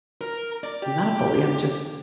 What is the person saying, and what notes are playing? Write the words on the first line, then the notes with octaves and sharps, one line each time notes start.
I'm not a bully, I'm just
A#4
D5
G4